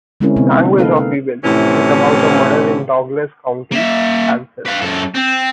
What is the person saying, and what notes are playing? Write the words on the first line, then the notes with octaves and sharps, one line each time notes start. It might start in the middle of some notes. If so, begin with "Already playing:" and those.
"Language of Evil" is about a murder in Douglas County, Kansas.
D3 G#3 C4 C#4 E4 A#4
C3 B3 C4
D#4
A#3 D#4 A4 B4 F5
F5
A2 C3 E3 F3 C#4
A#3 E5
B4 F5
F#2 A4
C4